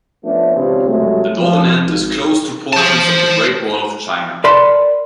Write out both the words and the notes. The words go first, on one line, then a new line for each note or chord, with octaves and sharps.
The northern end is close to portions of the Great Wall of China.
F3 A3 B3 C#4 D4 F4
G#1 C#2 C#3 C4 D4 G4
C2 F#2 F#3 G#3 A3
F3
G#1
C5 A5
A#4 D5 A5 B5 C6